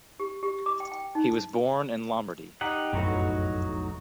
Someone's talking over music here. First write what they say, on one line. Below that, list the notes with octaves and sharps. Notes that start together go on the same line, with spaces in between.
He was born in Lombardy.
G4
G4
D6
G5
G5
D#4
D#4 G4 F#5
F1 B1 F#2 A2 F#3 D#4 F#4